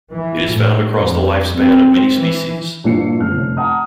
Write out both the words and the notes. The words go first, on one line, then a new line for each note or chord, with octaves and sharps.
It is found across the lifespan of many species.
E3
A2
F2
C4
E3
A#1 G2 E3 D4 C7 C#7
G1 D2 C#3 F6
F1
F#5 A5 A#5 D#6 F6